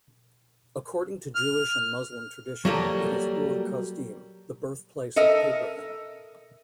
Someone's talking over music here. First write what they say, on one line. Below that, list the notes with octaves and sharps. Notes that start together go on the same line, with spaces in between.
According to Jewish and Muslim tradition, it is Ur Kasdim, the birthplace of Abraham.
F6
F#3 G3 A#3 A4
A4 A#4 D#5 E5